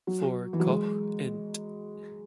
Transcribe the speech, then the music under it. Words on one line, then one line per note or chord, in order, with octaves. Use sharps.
For Koch int.
F#3
E3
F#3
G#3